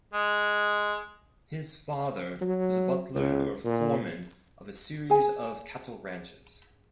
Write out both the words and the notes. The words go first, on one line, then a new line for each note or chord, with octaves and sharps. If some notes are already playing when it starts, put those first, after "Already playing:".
His father was a butler or foreman of a series of cattle ranches.
G#3
F#3
C#2
A#2
G#4 G#5